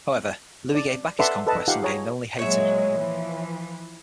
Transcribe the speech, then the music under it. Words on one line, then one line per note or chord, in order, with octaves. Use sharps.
However, Louis gave back his conquests and gained only Haiti.
D5
A4 B4 D5 E5 F#5 C6
A4 B4 D#5 A5
D#4 F4 G4 F5 F#5
G#4 C#5 A#5
A#2 F#3 G#3 C#5 E5
E3 F3